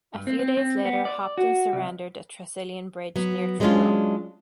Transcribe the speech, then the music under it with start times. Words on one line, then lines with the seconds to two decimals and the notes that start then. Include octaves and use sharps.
A few days later Hopton surrendered at Tresillian Bridge near Truro.
0.15 G2
0.27 C4
0.39 C4
0.57 C4
0.85 B3
1.05 D5
1.38 F#4
1.73 C2
3.16 F#3 B3
3.60 F#3 G#3 B3 C#4 D4 F4